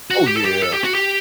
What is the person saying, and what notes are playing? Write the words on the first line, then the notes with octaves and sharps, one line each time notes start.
Oh, yeah.
F#4
G4
A4
G4
A4
G4
F#4
G4